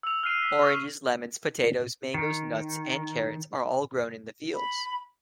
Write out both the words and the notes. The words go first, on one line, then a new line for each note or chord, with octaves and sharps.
Oranges, lemons, potatoes, mangos, nuts and carrots are all grown in the fields.
E6 F7
F6 F#6 C7 D#7
B6
C#6
D#3
B5